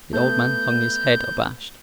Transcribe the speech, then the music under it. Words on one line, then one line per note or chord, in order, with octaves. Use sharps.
The old man hung his head, abashed.
A3 B3 G6